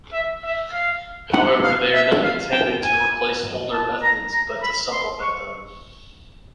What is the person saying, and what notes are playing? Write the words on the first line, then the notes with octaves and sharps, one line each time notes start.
However, they are not intended to replace older methods but to supplement them.
E5
E5
F5
F#5
F5
E5
F5
G5
G#5
A5
A#5
A#5
B5
C6
C#6